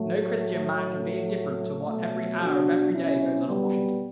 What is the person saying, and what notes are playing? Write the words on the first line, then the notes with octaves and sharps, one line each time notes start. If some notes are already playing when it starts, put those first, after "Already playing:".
No Christian man can be indifferent to what every hour of every day goes on at Washington.
Already playing: A2 F#3 A3
A3
B2 F#3 A3
D4 F#4
C#4 E4
G3 B3